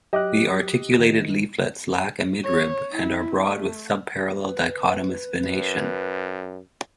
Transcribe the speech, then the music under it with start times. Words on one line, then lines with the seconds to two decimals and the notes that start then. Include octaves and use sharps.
The articulated leaflets lack a midrib, and are broad with subparallel dichotomous venation.
0.13 F#3 G4 D#5 D6 F#6
0.99 D#3
2.43 C#5
2.91 E4
3.47 A3
4.45 B4
5.46 F#2